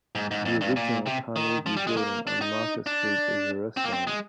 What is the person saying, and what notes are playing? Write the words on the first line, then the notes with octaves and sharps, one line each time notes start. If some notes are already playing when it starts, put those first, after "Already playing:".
The original Carnegie building on Market Street is a restaurant.
G#2
G#2
F2
G2
A#2
C3
D#3
F3
G3
G#3
A#3
D4
D#4
D4
C4
A#3
C4
G#3